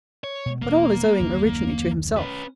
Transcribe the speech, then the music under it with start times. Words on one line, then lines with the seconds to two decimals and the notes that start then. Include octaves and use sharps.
But all is owing originally to himself.
0.24 C#5
0.46 B2 G#3
0.62 E1 B2 A#3 B3
1.19 F#1 D#2 D3
2.17 C#4 B4